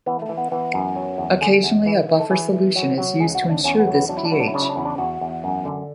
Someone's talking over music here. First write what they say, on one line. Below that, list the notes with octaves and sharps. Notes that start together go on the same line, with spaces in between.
Occasionally, a buffer solution is used to ensure this pH.
E3 B3
A3
E3
B3
E3 B3
F#2
F#3
E2
D3 G#4
E2
E3
E3
A4
E3 G#4
E3
F#3
F#3
C#2 G#4
F#4
C#2
D4
E2 C#4
B3
F#3
B3
F#3 D4
E4
D4
F#3 E4
D4
E4
C#3 D4
E4
D4
E2 E4
D4
E2 F#4
E2
F#2
D3